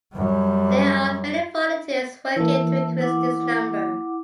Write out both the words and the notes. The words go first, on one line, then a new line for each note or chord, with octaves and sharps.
There are many volunteers working to increase this number.
F#2 G3
E3 A#3 E5 A5 E6
E4 F#5 D6